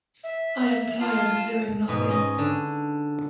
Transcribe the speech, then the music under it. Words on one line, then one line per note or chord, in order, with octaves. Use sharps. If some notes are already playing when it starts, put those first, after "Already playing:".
I am tired of doing nothing.
E5
F4 A5
G#2 B2
C#4 D#5
D3